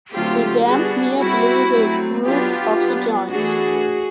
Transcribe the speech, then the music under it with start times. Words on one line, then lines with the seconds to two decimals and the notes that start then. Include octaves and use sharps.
We damned near blew the roof off the joint.
0.13 D3 F#3 A3 C4 F4 G4
0.66 G3 B3 D4 F#4 G#4
1.18 G3 C4 E4 F#4
1.72 F#3 A3 C4
2.25 F#3 B3 D4 F4 G4
2.78 F#3 B3 D4
3.30 E3 A3 D4 F#4 G#4